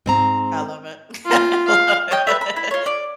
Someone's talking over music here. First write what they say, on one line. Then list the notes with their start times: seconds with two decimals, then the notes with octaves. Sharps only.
I love it. I love it.
0.06 G#2 C4 A#5
1.26 F4
1.67 F5
2.11 C#5 D#5 G5
2.27 B4 C5 E5
2.41 B5
2.56 E4
2.71 F4 C#5
2.86 D5